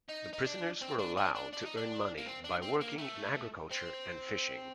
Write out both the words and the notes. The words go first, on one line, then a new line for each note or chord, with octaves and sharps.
The prisoners were allowed to earn money by working in agriculture and fishing.
D#4
D#4
D4
C4
D4
D4
D4
D4
D#4
D4
A#3
C4
D4
C4
A#3
A3
C4